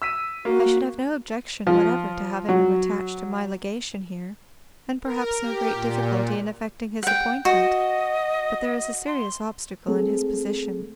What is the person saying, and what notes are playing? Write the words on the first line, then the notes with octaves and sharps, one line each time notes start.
I should have no objection whatever to having him attached to my Legation here, and perhaps no great difficulty in effecting his appointment; but there is a serious obstacle in his position.
E6 B6 D#7
A#3 F#4
F3
F#3
A#4
G4
A#2
F#5 G5
F#4 D#5
C6
G#3 A3 C4 G#4 A4